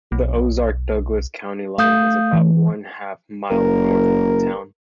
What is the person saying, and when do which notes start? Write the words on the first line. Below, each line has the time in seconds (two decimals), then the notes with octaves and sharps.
The Ozark-Douglas county line is about one-half mile north of the town.
0.12 B1
1.78 A3 F5 D#6 G6
2.33 E3
3.50 F#1 A#4